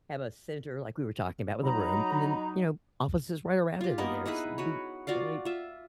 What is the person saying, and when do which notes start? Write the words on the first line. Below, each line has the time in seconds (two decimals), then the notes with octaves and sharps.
have a center- like we were talking about- with a room and then, you know, offices right around it. Th there's it'd be really
1.62 F#3 D#4 A#5 B5
3.81 F4 G4
3.98 A#3 B3 D#4 A#4
4.25 D#4 E4 G#4 B4
4.58 F#4 B4 C#5
5.07 F4 F#4 D5 F5
5.45 F4 E5